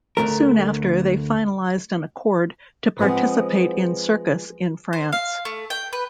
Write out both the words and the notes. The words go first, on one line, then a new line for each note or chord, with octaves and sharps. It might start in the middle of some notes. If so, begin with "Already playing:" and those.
Soon after, they finalized an accord to participate in circus in France.
D2 A#2 A3 A#4
F3 G#3 B3 C4 G#4
C5
F5
A3
G5
B4